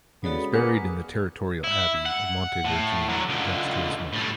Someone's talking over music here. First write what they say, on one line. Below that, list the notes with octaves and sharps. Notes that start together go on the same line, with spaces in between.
He was buried in the Territorial Abbey of Montevergine, next to his mother.
C#3 G#3 B3 F#4 A4 D5
A#3 B3 G#4 B4 F#5 D6
E4
F#5
A2
D3 F#3
C#2 D3
A2 G3